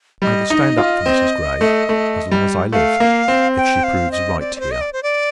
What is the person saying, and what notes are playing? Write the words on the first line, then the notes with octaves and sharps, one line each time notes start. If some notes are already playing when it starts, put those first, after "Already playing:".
I will stand up for Mrs Grey, as long as I live, if she proves right here.
G3 D#5
D#4
F4
C4
A3
A3
G3
A3 F5
A#3
C4
G5
F5
D#5
D5
D5
C5
D#5
D5
C5
D5